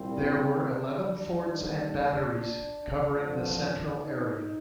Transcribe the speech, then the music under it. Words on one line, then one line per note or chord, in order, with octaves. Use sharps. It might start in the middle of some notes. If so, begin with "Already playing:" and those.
There were eleven forts and batteries covering the central area.
Already playing: C2 A#2 G3 C4
D4
G2 D#3 A#3
F2 D3 F3 A3
D#4